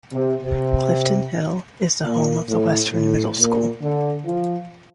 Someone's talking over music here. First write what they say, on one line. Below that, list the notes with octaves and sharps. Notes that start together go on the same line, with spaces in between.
Clifton Hill is the home of the Westran Middle School.
C3
C3
A#2
A2
A2
A#2
D3
F3